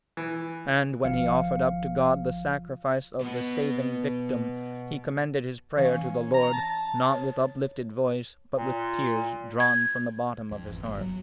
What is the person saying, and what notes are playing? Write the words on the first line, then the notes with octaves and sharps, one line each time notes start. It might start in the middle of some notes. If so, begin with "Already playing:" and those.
And when he offered up to God the Sacrifice of the saving Victim, he commended his prayer to the Lord, not with uplifted voice, but with tears drawn from the bottom of his heart.
E3
G#1 F3 F5 C#7
B2 B3
E3 C#4 F5
A#5
A5
C#5
A#2
G#6
F2
A1
G1
F#3